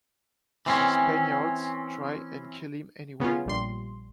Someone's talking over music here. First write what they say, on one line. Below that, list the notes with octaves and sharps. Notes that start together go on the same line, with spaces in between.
The Spaniards try and kill him anyway.
E3 C4 C#4
C#3 B3 C#4 F4
A#1 G3 C6